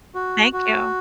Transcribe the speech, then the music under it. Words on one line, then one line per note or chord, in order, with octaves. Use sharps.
Thank you.
F#4
F#4